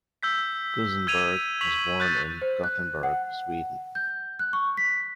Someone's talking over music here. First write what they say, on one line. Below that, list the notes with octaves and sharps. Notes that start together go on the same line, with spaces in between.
Kusenberg was born in Gothenburg, Sweden.
E6 G6 B6
E6 G#6 D#7 F7
C#6 B6 F7 F#7
F#6 G6 A6 D#7
C5
F#6
F#5
G6
F#6
C#6
B6